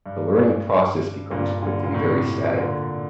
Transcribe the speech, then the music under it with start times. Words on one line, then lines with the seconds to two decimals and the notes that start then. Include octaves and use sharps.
The learning process becomes quickly very static.
0.06 G2
1.31 G2 A#2
1.62 A#2 D3
1.83 A#2
1.94 A2 C3
2.56 A#2 D3